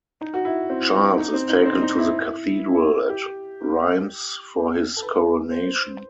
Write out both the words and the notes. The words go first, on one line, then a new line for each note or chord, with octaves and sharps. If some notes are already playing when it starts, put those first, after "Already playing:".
Charles is taken to the Cathedral at Reims for his coronation.
D#4
F#4
E4
C4
D#4
C4
D#4
C4
D#4
E4
G4
A4
B4
C5